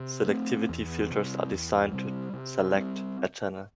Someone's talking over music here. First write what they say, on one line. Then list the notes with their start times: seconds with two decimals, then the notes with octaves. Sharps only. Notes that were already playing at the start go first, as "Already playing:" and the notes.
Selectivity filters are designed to "select" a channel.
Already playing: C3
0.27 A3 C4
0.69 E2
1.10 C3 G3
1.52 E2
1.92 C3 G3
2.33 C3
2.74 G3 C4